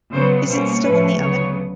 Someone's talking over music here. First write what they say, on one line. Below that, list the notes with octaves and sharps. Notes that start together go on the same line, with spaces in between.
Is it still in the oven?
C#3 F#3 B3 C5
B2 G3 A#3 C#4 C5
A2 F3 A3 C#4 B4
D2 C#3 F#3 B3 C#5